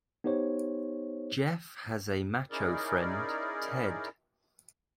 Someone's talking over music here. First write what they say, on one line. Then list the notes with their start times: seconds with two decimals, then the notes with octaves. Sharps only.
Jeff has a macho friend, Ted.
0.24 B3 D#4 G4 C5 C#5
2.51 C#4 D#4 E4 G#4 A#4 D5